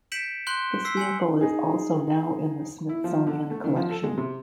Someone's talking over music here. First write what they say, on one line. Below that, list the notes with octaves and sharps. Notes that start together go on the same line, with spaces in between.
This vehicle is also now in the Smithsonian collection.
G6 B6 C#7 D7 E7 F#7
C6 F#6 G6 F#7 G7
E6 B6 C7
G#5 C#7 F#7
D#4 G#4
E4
F3
D3
A3
D#3
F3
A4
G#3
C3